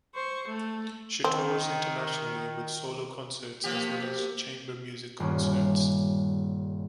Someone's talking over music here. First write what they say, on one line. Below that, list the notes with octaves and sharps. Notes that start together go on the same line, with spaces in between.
She tours internationally with solo concerts as well as chamber music concerts.
C5 C#6
A3
D#3 C4
C3 F3 A#3 G4
D#1 G2 C#4